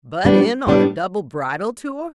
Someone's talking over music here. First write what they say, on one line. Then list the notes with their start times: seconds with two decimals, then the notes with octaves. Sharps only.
Butt in on a double bridal tour?
0.25 A2 G3 B3 D4
0.67 A2 G3 B3 D4